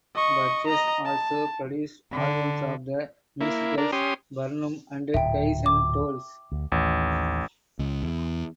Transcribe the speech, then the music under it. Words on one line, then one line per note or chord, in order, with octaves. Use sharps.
Burgess also produced albums of the musicals "Barnum" and "Guys and Dolls".
D#5 C#6
D#5 A#5
A5
D3
A#3 E4
D4 A#4
C#4 G4 C6 D#6
D1 A#2 E5 G5
D6
D2
A1 D#2
C#2
E2